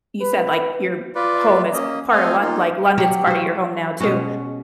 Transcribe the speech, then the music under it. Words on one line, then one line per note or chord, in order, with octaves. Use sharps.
you said, like, your home is part of Lon like, London's part of your home now too.
B4
F4 B4 D5
A#3 C#4 D#5
A3 C4 A4 D#5 F5 G#5
A#3 D#4 F4
F#3 G4 C#5
F#4 C5
B2 G#3 C#4 F#4